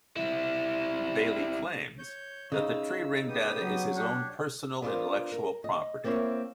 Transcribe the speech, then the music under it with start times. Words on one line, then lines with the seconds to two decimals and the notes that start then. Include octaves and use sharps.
Baillie claims that the tree-ring data is his own personal intellectual property.
0.17 G3 E4
1.98 C#5 G6
2.52 C#3 D#4 E6
3.28 B3 G4 D#6
3.61 F#3
3.95 D4 G4 C#5
4.82 B3 D4 F4 A4 A#4 C5
5.32 A#4
5.64 D#5
6.04 A#3 C4 E4 C#5 E5